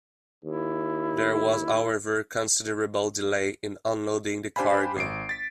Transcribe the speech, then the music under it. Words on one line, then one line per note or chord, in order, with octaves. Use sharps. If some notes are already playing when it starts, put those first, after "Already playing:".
There was, however, considerable delay in unloading the cargo.
D#2 E4
D4 G4 C5 F5 G#5 B5
G#1 C7 D7
A6 B6